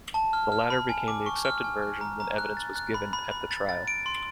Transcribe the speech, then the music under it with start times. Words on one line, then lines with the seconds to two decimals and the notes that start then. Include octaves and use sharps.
The latter became the accepted version when evidence was given at the trial.
0.14 A5
0.33 F6
0.52 F6
0.70 B5
0.89 G#5
1.08 D6
1.26 C#6
1.45 F6
1.64 G#5
1.82 F#6
2.01 A#5
2.20 A#5
2.38 F#6
2.57 A6
2.76 F#6
2.94 B5
3.13 B5
3.31 B5
3.51 A6
3.69 A6
3.88 D7
4.06 C6